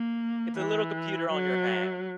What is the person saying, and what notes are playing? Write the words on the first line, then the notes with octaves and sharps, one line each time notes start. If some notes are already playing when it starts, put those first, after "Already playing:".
It's a little computer on your hand,
Already playing: A#3
E3
F#3